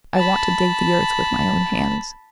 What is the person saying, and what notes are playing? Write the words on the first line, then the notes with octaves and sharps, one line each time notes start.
I want to dig the earth with my own hands.
A5 B5